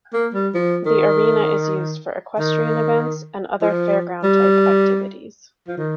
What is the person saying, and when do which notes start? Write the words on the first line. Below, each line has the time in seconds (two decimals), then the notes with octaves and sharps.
The arena is used for equestrian events, and other fairground type activities.
0.13 A#3
0.34 G3
0.55 F3
0.86 D#3
2.39 D#3
3.62 F3
4.23 G3
5.68 F3
5.77 D#3